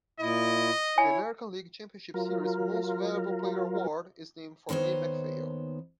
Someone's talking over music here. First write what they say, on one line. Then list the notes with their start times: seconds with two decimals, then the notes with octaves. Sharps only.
The American League Championship Series Most Valuable Player Award is named for Lee MacPhail.
0.20 A#2 E4 D#5
0.98 E4 C#5 G#5
2.14 F#3 F4 A#4
4.69 D#2 D#3 B3 C5 C#5